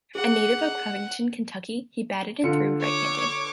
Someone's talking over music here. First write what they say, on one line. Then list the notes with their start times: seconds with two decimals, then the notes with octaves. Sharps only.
A native of Covington, Kentucky, he batted and threw right-handed.
0.15 G#4 F#5
2.44 D3 F4 C#7
2.81 C#5 D6